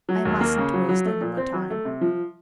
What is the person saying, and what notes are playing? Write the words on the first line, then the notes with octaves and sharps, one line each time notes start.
I mustn't waste any more time.
F#3
D#2
A#3
C#3
F#3
F#3
A3
A#2
C4
F#3
A3
C3
F3